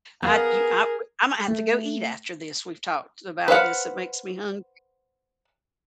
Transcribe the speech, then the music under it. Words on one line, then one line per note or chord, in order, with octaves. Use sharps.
I do Ima Imma have to go eat after this, we've talked about this, it makes me hungry,
B3 G#4 A#4 B4 F5
A3
B4 C5 F5 F#5